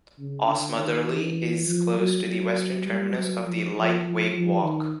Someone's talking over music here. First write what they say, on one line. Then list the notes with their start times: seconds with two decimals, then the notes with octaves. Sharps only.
Osmotherley is close to the western terminus of the Lyke Wake Walk.
0.18 C#3
0.47 D3
0.77 D#3
1.06 E3
1.65 F3
1.95 F#3
2.25 F#3
2.84 G3
3.13 F#3
3.43 F3
3.73 F3
4.01 F3
4.32 F3
4.62 D#3